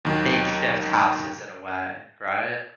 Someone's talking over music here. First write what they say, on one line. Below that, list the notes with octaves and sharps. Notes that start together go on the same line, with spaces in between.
makeshift houses, in a way, right?
D#2 D#3 F#3